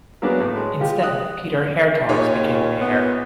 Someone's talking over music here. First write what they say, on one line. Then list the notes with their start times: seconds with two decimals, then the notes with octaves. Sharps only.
Instead Peter Hertogs became mayor.
0.22 F#3 A#3 B3 D4 G#4 B4
0.40 A2
0.56 G#3
0.80 G#3 F4 G4
1.02 D#6 F#6
2.09 D#2 A#2 G#4 C#5
2.81 B3